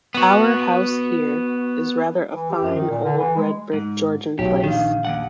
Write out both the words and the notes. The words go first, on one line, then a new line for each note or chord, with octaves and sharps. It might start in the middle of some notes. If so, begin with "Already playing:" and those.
Our house here is rather a fine old red brick Georgian place.
B3 F#4
E3
G4
F#2
D#3
A#2
D3
E3
G#3
G#2
B1 G4
A#1 D#3 F5
D#2 F3 F#5